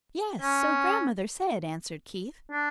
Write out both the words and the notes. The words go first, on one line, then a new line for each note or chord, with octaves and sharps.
"Yes, so grandmother said," answered Keith.
C#4
D4